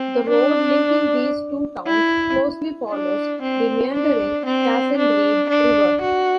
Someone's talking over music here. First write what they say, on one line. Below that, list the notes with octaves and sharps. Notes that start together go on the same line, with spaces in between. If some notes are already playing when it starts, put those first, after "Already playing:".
The road linking these two towns closely follows the meandering Castlereagh River.
Already playing: C4
D4
E4
D4
C4
D4
C4
D4
D4
F#4